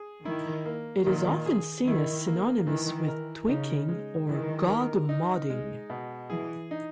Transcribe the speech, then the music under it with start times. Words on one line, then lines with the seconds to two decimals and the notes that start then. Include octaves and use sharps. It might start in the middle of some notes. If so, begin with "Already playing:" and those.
It is often seen as synonymous with twinking or "godmoding".
Already playing: G#4
0.25 D#3 E4
0.65 A#3
1.06 A#2 D#3
1.46 G#4
1.86 D#3 E4
2.27 A#3
2.67 D#3 E3
3.08 A#4
3.48 C#3 D#4
3.89 G#3
4.29 D#3 E3
4.70 A#4
5.09 D#4
5.50 G#3
5.90 B2
6.30 E3 G#4
6.71 D#4